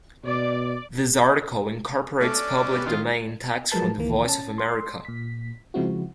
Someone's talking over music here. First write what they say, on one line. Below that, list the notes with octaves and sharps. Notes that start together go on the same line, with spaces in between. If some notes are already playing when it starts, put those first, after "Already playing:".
This article incorporates public domain text from the Voice of America.
B2 D5
A3 C#4 D4 D5
B3 G4
D#3 F4
F3 F#3 G#3 A#4 B4 A5
C#2 D#3 E3 A#3
C#4 A5
C6
A#2 B6
C#3 F3 G#3 C4 E4 F#4